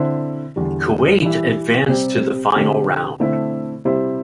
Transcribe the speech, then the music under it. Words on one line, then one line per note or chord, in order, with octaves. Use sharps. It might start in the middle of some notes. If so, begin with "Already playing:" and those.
Kuwait advanced to the Final Round.
Already playing: D3 C4 E4 C5
E2 D3 G3
E3 G3 E4
C3 G3 C4 G4
D3 C4 G4
D3 A3 C4 E4
C3 G3 E4 C5